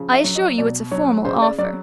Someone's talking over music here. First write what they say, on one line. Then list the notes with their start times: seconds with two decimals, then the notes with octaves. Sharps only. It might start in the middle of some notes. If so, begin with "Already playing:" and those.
"I assure you it's a formal offer."
Already playing: C#3 F3
0.13 E5
0.24 F#3
0.35 D#5
0.58 B2 D5
0.91 F#3 C#5
1.25 C#3 C5
1.42 D5
1.58 F#3 D5